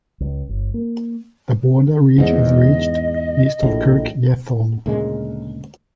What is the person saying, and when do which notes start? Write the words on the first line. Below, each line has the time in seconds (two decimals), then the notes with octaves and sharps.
The border ridge is reached east of Kirk Yetholm.
0.20 C#2
0.49 G1
0.74 A#3
2.18 E2 G#2 D#5
3.63 A#1 A2
4.86 D2 A#2 C#3 G#3